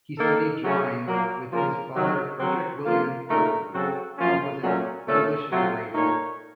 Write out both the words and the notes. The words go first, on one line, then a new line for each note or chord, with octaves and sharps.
He studied drawing with his father Frederick William Quartley, who was an English engraver.
D#3 A#3 D#4 A4
C#3 F#3 A3 C#4
A#2 F#3 A#3
C#3 F3 A#3 F4 A#4
C3 D#3 F#3
F#3 C4 F#4 A#4 C#5
F3 A#3 F4
A#2 A3 D#4 A#4
C#3 F#3 C4 F#4 A4
F#2 F3 A#3 C#4 F4
A#2 F#3 A3 C#4 A4
A#2 A3 C#4 A4
C3 F#3 A3 C4 F4
A#2 A3 D#4 A#4 C#5